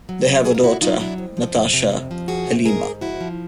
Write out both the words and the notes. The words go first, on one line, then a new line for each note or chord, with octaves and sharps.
They have a daughter, Natasha Haleema.
F#3
F#3
B2 G#4 A#4
F4
B2 E4 F#4
F#3 D#4 F4
F#3 D4 E4
F2
F3
F2
C3
F2
F3
F2 F#4 G#4
C3
G#2 G#4 A#4
G#2
F3 E4 F#4
F3